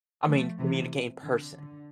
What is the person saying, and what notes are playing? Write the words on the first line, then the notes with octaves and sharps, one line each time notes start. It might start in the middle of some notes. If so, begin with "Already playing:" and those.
I mean, communicate in person
F3 A3
C3 E3
D3
D3